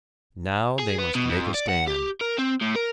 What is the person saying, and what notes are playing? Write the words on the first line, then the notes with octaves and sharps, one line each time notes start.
Now they must make a stand.
G#4
B3
B2
F2
D5
F#5
G4
A#4
C4
A2
A#4